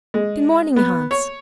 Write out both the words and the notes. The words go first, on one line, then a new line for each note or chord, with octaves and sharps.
'Good morning, Hans.
G#3
B3
C#5